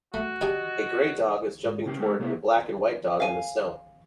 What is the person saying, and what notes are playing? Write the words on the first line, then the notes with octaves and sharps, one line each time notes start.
A gray dog is jumping toward a black and white dog in the snow.
A3 F#4
D4 G4 G#4 D#5
G#2
C#3 A#3 G4
G#3 A#3 A4 A#4
C3 A#3 B3 E4
F5 G#5